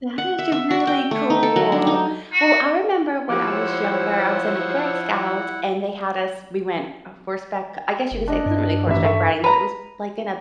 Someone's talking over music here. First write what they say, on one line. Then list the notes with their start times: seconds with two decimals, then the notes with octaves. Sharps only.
That is really cool. Well, I remember when I was younger, I was in the Girl Scouts and they had us we went horseback I guess you could say it wasn't really horseback riding, but it was like in a
0.18 F#5
0.39 E5
0.52 E5
0.71 F#4
0.87 G5
1.11 A3
1.30 D#4
1.43 A4
1.56 F#3
1.72 D4
1.87 D#4
2.33 F#4
3.29 F3 E4 G4 C5 C#5 F#5 D6 E6
8.12 F#1
8.28 D4 D#5
8.46 G2
8.87 A1 E5
9.04 A4 E5 C#6
9.44 B4 A#5